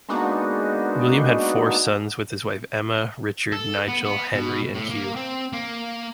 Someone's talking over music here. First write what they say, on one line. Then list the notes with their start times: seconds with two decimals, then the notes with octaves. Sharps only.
William had four sons, with his wife Emma; Richard, Nigel, Henry and Hugh.
0.09 G#3 A#3 B3 D4 D#4 F#4
3.52 A4
3.88 B3
4.05 B3
4.34 B2
4.75 A2
4.90 A#3
5.16 C4
5.53 A#3